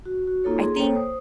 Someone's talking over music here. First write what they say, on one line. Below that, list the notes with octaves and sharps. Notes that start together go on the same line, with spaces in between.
I think
F#4
F#4
A#3 D#4 F4 A4 C#5
G#4 C6
A#3 A4 C5 C#5 G5
C5 D#6